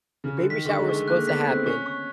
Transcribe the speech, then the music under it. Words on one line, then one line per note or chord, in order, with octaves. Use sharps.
the baby shower was supposed to happen,
C#3
D3
D#3 B6
D3 C#6
G#3
A3 C#6
A#3 F#6
B3 B6
C4 F#6
C#4 C#6
C#6